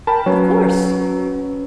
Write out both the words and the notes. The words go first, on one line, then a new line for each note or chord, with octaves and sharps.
"Of course."
A#4 G5 A5 B5
F#3 C#4 B4 C#5